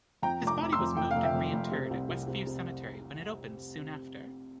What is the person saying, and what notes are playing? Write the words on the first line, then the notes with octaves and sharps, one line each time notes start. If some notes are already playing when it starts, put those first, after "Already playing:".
His body was moved and reinterred at Westview Cemetery when it opened soon after.
F2 G5 A#5
F1 A#5 D6
F1
C6 E6
F2
F1 G5
F1 F5
E5 G5
F2
F1
C3
C2
C2
C3
C3